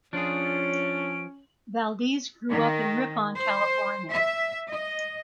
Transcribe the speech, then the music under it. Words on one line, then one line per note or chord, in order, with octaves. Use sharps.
Valdez grew up in Ripon California.
F3 C#4 D4 F4 G#4 D7
D#3
C5
E5
D#5